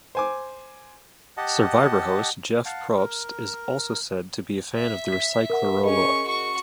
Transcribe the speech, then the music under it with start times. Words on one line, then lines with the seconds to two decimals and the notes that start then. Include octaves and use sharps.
Survivor host Jeff Probst is also said to be a fan of the Recyclarolla.
0.15 C5 G#5 D6
1.37 G4 D#5 F#5 A5
2.66 F5 F#5 A5
2.97 A#4
4.75 E5
5.12 B6
5.50 A#4 F#5
5.84 C#4 G#4 A#4 D#5 C#6
6.25 F#4 C#6